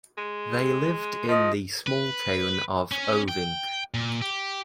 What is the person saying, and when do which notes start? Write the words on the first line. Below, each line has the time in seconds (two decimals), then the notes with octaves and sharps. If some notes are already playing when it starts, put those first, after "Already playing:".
They lived in the small town of Oving.
0.18 G#3
1.28 F3 D#5
1.87 B4
2.92 C#4
3.28 G5
3.94 A#2
4.22 G4